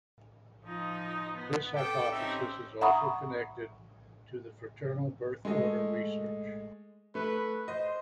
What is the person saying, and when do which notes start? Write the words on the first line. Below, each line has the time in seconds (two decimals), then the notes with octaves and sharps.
This hypothesis is also connected to the fraternal birth order research.
0.64 F3 D#4
1.37 B3
1.75 A4 G5 D6
2.11 C4 C#4 D#4 G4 E5
2.81 E5 F#5 A#5 B5 C#6 D#6
5.45 G#3 A3 D#5
7.15 A3 B4
7.68 C5 D#5